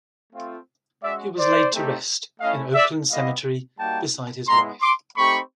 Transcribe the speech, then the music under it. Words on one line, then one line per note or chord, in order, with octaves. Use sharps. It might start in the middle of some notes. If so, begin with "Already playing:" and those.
He was laid to rest in Oakland Cemetery, beside his wife.
A3 C4 F4
G#3 C#4 F#4 D5 E5
C5 D5
A3 C4 D#4 G4
A3 C#4 E4 D#5 F5
D5 E5
G3 B3 E4 G4 D#5 F5
G3 A#3 D#4 F#4 G5 A5
G#3 B3 E4 A#5 C6
C6 D6
A3 C4 D#4 G4 B5 C#6